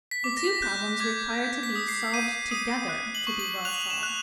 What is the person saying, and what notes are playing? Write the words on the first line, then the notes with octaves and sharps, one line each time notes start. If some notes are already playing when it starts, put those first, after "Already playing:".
The two problems require to be solved together, to be well solved.
B6
D6
A#6
F#6 G6
D6 G#6
G6
B6
D#6
C7
G6 D#7
D#6 D#7
F#6
F#7
C#6
F#7
F#6 F7
E7
F#6